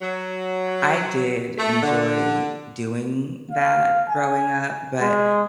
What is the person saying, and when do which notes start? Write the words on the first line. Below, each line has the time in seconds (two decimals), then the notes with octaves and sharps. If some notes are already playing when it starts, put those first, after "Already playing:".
I did enjoy doing that growing up, but
0.02 F#3
1.59 A3
1.83 D3
3.51 F5
4.09 G#5
5.01 G#3